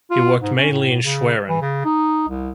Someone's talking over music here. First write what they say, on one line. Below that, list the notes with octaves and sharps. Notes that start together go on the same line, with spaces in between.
He worked mainly in Schwerin.
F4
G#2
C#4
A2
C#3
E3
C#3
D#4
C2